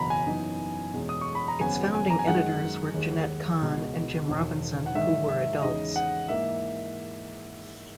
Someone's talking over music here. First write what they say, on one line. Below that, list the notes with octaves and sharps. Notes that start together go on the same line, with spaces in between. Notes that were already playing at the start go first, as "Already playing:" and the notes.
Its founding editors were Jenette Kahn and Jim Robinson, who were adults.
Already playing: F#1 E2 B2 F#3 A#5 B5
G#5
F#2 E3 B3 D#4
E2 B2 G#3 C#4
D#6
C#6
B5
A#5
G#1 F#2 C#3 F#3 B3 G#5
G#5
A#5
G#5
F#2 D#3 G#3 F#5
D#2 D#3 G#3 D#4
C#2 B2 G#3
E1 E2 D#3
F#5
G#2 D#3 F#3 E5
E5
E2 C#3 G#3 D#4 D#5
F#5
G#2 E3 A#3 E5